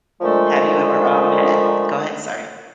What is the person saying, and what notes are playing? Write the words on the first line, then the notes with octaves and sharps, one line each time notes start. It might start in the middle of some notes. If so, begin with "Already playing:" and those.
Have you ever, um, had Go ahead, sorry.
A#2 D3 F3 G#3 A3